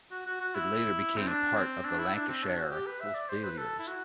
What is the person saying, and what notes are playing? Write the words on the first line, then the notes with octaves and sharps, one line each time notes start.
It later became part of the Lancashire Fusiliers.
F#4
F#4
F#4
E4
C4
D4
C4
D4
E4
D4
C4
D4
F#4
G4
B4
E5
D5
C5
B4
A4
E4
F#4